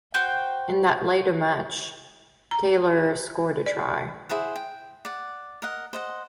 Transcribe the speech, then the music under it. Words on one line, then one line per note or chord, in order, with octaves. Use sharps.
In that latter match Taylor scored a try.
F#4 C5 G5 G6
A#5
D5
E4 G#4 C5 F#5
G5
D5 F#5
A#4 D#5 F#5
C5 D#5 F#5